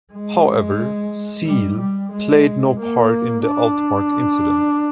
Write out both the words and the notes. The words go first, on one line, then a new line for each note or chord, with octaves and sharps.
However "Seal" played no part in the Altmark incident.
G#3
G3
G3
G#3
A#3
D4